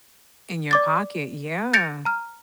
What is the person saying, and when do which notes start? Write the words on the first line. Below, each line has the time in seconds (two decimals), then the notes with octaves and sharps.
In your pocket yeah,
0.71 D5 D6 A6
1.73 G6 A6 A#6 C#7 D7 F7
2.05 A#5 F6